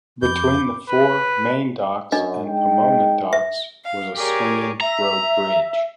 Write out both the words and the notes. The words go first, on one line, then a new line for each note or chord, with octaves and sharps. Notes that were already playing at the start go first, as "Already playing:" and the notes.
Between the four main docks and Pomona docks was a swinging road bridge.
F2 C4 B5 D6 G6
B4
F#2 D4 D#5
G#3 D#4 G5
E5
F5
G4 G#4 A#4 C#5 D5
E5 A#5